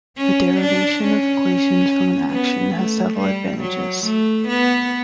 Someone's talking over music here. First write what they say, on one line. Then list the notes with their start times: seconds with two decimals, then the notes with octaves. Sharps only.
The derivation of equations from an action has several advantages.
0.18 C#4
0.61 D4
1.04 C#4
2.32 B3
2.75 A3
3.18 G3
3.61 F#3
4.04 A3
4.48 B3